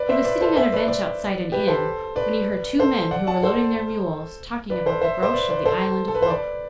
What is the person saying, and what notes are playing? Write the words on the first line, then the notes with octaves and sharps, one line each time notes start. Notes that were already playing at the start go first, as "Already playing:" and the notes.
He was sitting on a bench outside an inn, when he heard two men who were loading their mules talking about the Groac'h of the island of Lok.
Already playing: B4 D5
C5 E5
B4 D5
A4 C5
C5 E5
B4 D5
B4 D5
G4 B4
A4 C5
B4 D5
A4 C5
D5 F#5
F#5 A5
A4 C5
B4 D5
A4 C5
C5 E5
C5
B4 D5
B4 D5
A4 C5
A4
B4
C5
B4 D5